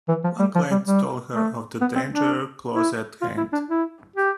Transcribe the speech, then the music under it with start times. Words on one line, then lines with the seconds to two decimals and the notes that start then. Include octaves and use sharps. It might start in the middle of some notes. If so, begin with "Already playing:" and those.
One glance told her of the danger close at hand.
0.08 E3
0.24 F3
0.39 G3
0.55 F3
0.71 G3
0.86 G3
1.33 A3
1.81 B3
1.96 C4
2.12 D4
2.74 E4
3.22 F4
3.37 E4
3.53 D4
3.69 E4
4.16 G4